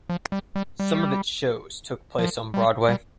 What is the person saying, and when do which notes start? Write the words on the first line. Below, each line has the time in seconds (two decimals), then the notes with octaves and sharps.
Some of its shows took place on Broadway.
0.09 F3
0.32 G3
0.55 G3
0.80 G3
2.19 F3
2.54 G3
2.89 G3